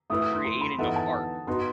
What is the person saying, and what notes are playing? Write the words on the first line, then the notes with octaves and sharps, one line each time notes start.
creating of art
A3 E4 B4 D#6
D#6
C6
C6
B5
E3 B3 D#4 A4 E5 F#5
A5
A5
B3 D#4 F#4 C6